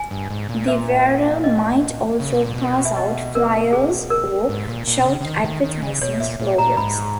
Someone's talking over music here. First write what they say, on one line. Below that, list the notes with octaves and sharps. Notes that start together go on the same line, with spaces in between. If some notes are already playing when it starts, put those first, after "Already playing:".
The wearer might also pass out flyers or shout advertising slogans.
Already playing: G#5
G2
G#2
A#2
E5
D#5
C#3
B2
A#2
B2
E5
D#5
A#4
G#4
A#4
G#2
A#2
A#2
B2
C#3
C#3
D#3
D#3
D#3
C#3
B2 C#5
A#2 E5
A#2
A#2 A#5
G#2 B5